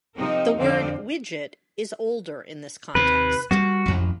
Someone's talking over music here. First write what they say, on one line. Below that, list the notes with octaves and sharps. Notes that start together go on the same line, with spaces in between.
The word "widget" is older in this context.
C3 F3 C4 D#4 A#4 D#5
F2 D3 C4 D5 F5
D#2 C3 B4
G3 A#3 F#4
A1 F2